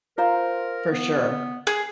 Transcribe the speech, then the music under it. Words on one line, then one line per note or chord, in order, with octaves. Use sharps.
for sure.
F4 A#4 C5 A#5
B3
G#4